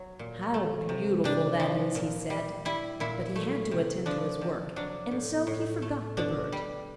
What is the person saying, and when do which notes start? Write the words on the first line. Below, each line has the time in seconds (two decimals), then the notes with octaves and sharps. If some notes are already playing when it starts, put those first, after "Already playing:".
"How beautiful that is!" he said; but he had to attend to his work, and so he forgot the bird.
Already playing: F#3
0.19 A#2
0.54 A3
0.89 C3
1.24 C3 D4
1.60 F3
1.95 A#2
2.30 G3
2.65 G3 E4
3.00 A#2 E4
3.36 A3
3.71 C3
4.06 F3 D4
4.41 C3
4.76 F#3 D4
5.11 A2
5.47 A2
5.82 A3
6.17 B2 D4
6.52 G3